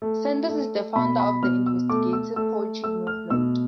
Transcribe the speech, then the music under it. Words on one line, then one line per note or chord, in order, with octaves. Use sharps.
Sanders is the founder of the Investigative Poetry movement.
A3
A3
B2 B5
B5
B2 F6
E6
A3 D6
E6
A3 E6
A3 E6
F6
B2 E6